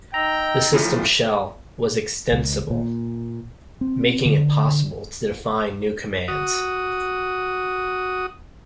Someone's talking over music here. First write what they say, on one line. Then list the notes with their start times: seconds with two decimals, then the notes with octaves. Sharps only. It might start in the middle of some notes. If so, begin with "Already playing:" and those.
The system shell was extensible, making it possible to define new commands.
0.14 D#4 D#5 G5 A#5 E6
0.74 E3 F3 A3
2.32 C#2
2.70 A#2
3.81 C4
4.25 D3
6.28 F#4 D#6